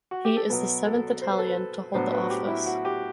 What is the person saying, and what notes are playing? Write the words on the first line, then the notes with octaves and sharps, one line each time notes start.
He is the seventh Italian to hold the office.
F#4
G4
A4
B2 F#3 B3 B4
A4
C5
B4
A4
B4
A2 F#3 B3 D4 C5
B4
F#4
G4
E4
F#4
G4